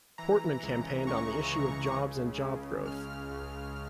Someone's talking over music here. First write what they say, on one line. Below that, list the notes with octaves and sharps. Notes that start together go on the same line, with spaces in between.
Portman campaigned on the issue of jobs and job growth.
E3 A#5
C#2
C#3 C#6
C#3
C#2
C#3
C#2 F6
C#2